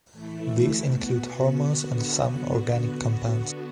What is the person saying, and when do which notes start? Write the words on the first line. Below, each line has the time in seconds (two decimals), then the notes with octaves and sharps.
These include hormones and some organic compounds.
0.12 A2 E3 A3 E4
0.87 B2 B3 F#4
1.62 D3 B3 F#4